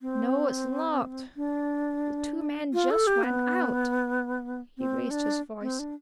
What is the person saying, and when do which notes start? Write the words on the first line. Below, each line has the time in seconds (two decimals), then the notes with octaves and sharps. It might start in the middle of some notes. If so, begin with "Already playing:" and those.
"No, it's locked--the two men just went out." He raised his voice.
0.02 C4
1.37 D4
2.73 F4
2.90 A4
3.07 G4
3.23 B3
4.78 C4
5.11 D4
5.61 C4
5.79 D4